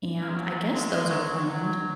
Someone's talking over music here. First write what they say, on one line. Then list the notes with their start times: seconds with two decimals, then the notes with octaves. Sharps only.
And I guess those are planned,
0.22 A#3
0.29 G#3
0.37 F#3
0.73 G#3
0.92 G#3
1.09 F#3
1.27 F#3